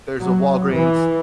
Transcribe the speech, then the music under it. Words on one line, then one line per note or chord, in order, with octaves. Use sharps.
there's a Walgreens
F#3
E3